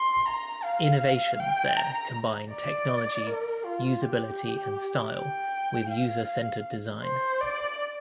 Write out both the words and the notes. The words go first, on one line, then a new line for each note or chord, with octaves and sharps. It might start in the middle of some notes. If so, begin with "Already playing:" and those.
Innovations there combine technology, usability and style with user centered design.
Already playing: C6
A#5
F5
G5
A#5
D5
A#4
F4
G4
G5
F5
C5
D5